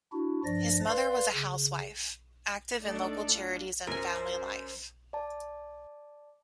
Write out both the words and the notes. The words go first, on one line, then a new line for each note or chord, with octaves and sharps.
His mother was a housewife, active in local charities and family life.
D4 E4 F#4
G2 F3 D4 D5 A#6
B4 D5 F5 C6
C#3
A3 D4 D#4 A4 D5
D4 F4
F#2 A#4 C5 G#5
D5 A5